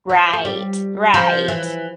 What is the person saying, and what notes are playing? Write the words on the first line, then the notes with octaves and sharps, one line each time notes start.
Right, right.
F3
A3
G3
F3
E3